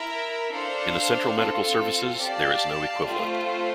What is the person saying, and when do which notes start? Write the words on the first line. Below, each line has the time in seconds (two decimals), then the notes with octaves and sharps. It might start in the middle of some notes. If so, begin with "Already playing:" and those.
In the Central Medical Services there is no equivalent.
Already playing: E4 A#4 E5
0.52 D4 A4 C5 F5
1.36 C4 F4 A4
2.20 G4 D5 F5 A5
3.05 A3 C4 F4 C5